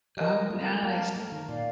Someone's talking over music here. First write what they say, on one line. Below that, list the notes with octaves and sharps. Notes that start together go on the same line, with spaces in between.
Oh, nice.
G3 A#4 D#5
A3 F4
A#3 A#4 F5 A5
A3 A#4
D#3
A#2 D5 F5